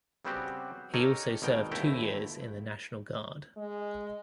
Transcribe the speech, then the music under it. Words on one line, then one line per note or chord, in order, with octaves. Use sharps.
He also served two years in the National Guard.
C#3 G3 B3 C4 F#4 G4
D#4 G4 A4 A#4 C#5 D#5
G#1 B2 A#4 G5
G1 D#2 A3 E4 G5 A#5
G#3